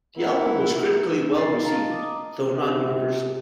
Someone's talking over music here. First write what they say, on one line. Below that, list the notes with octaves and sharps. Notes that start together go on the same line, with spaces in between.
The album was critically well-received, though not universally.
E4 A#4 F#5
D#4 A#4 A6 C7
D#5 F5 A5 A#5 A6
D6 D#6
C3